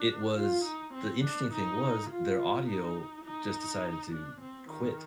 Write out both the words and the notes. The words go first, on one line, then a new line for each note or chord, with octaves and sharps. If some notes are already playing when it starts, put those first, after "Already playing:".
it was the interesting thing was their audio just decided to quit.
Already playing: D4
F4
D#4
C4
D4
D#4
F4
D#4
D#4
D4
C4
D#3